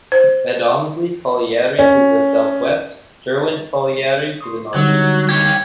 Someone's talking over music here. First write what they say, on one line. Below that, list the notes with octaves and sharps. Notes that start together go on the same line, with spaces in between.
Medomsley Colliery to the south west; Derwent Colliery to the north east.
C5
C#4
C6 C#6 D#6
D3 F#3 G3 D#4
G4 C#5 G#6